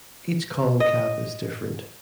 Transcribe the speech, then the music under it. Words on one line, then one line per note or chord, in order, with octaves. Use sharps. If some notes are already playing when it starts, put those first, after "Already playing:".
Each column cap is different.
D#5